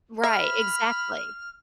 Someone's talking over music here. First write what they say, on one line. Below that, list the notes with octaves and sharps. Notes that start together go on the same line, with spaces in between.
Right, exactly.
E5 B5 F6